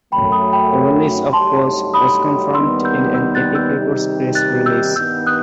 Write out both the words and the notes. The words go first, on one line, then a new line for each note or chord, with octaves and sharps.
The release of "Pose" was confirmed in an Epic Records press release.
F#2 F#3 A3 G5 B5
B5 D#6
G5 B5
G2 F#3 A3 D#4 G4 A5 C6
B5 D#6
D#2 D#3 G3 B3 C6 E6
E6 G6
E6 G6
F#6 A6
E6 G6
C3 D#3 G3 D#4 G4
F#6 A6
E6 G6
G2 D#3 G3 B3 E6 G6
D#6 F#6